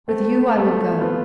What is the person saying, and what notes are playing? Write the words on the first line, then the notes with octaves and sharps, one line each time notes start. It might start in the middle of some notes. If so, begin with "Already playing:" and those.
With you I will go.
A3 C4
A3 C4
B3 F4